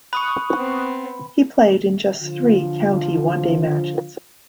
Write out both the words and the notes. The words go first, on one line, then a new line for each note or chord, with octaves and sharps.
He played in just three county one day matches.
B5 C#6 D#6 F#6
B3 C4
D3 F3 F4